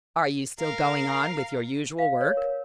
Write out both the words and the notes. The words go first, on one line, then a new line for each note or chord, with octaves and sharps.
"Are you still going on with your usual work?"
A#4 F5
F5
C#5
A#4